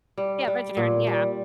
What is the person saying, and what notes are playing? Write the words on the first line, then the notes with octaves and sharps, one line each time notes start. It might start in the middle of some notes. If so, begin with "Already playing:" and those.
Yeah, vegetarian, yeah.
G3
G3
A#2
G3